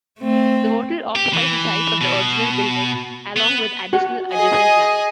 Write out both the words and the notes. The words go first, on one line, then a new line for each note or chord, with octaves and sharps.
The hotel occupies the site of the original building, along with additional adjacent land.
A3 C4
G4
E3
B2
B3
F#4
G#4 D#5 G#5